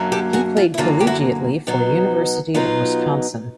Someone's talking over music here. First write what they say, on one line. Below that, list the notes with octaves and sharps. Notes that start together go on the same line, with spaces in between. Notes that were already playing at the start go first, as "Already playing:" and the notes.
He played collegiately for University of Wisconsin.
Already playing: F#2 D3 F#3 A#3
G4 A4
F#4 G#4
F4
E4
F#2 D3 F#3 A#3 F4
G4
E4 F#4
B2 F#3 B3 D#4
B2 F#3 B3 D#4 F4